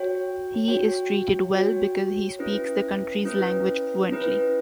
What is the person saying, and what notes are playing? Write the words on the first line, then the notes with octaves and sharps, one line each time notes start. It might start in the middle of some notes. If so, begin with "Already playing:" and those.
He is treated well because he speaks the country’s language fluently.
Already playing: F#4 C#5 G5
F#4 C#5 G5
F#4 C#5 G5
C#4 E4 B4
C#4 E4 B4
C#4 E4 B4